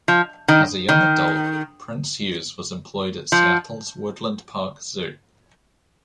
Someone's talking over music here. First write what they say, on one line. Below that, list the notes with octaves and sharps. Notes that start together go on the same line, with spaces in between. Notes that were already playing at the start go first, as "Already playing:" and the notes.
As a young adult, Prince-Hughes was employed at Seattle's Woodland Park Zoo.
F3
D#3
D#3
F3